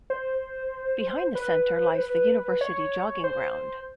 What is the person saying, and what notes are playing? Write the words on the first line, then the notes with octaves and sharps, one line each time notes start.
Behind the center lies the university jogging ground.
C5
B4
C5
B4
C#5
C5